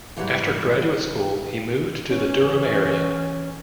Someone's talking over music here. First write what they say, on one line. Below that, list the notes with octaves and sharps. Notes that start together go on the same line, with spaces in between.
After graduate school he moved to the Durham area.
G#2 E3 F#3 G3
E3 C#4